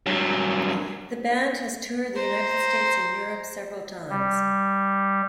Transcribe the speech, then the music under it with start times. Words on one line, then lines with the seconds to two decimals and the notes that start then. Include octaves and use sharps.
The band has toured the United States and Europe several times.
0.06 G2 F#3
2.16 C5 A#5
4.10 G3